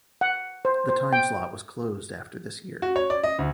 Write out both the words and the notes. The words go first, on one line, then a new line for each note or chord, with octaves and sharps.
The time slot was closed after this year.
F#5
C5
C5
G5
F#4
C#5
D5
D#5
D2